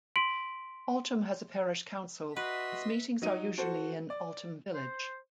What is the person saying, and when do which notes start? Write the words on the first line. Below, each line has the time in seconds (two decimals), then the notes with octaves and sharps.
Altham has a parish council; its meetings are usually in Altham village.
0.16 C6 B6 D7 F#7
2.36 F#4 B4 D#5 E5 C6 B6
3.22 F#3 D#4 D#7
3.58 F#4 A4 C5
4.10 D5
4.74 C5